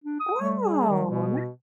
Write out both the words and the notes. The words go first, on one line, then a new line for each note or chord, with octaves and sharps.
Oh, nice.
D4
D#6
G3 A3
G#4
D#3
B2